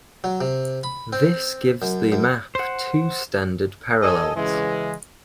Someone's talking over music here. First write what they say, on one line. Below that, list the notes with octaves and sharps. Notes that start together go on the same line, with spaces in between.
This gives the map two standard parallels.
F#3
C3
B5
C4
F#2
F#2
C5 F#5
A4 D#5 G#5
C#3 E3 G#3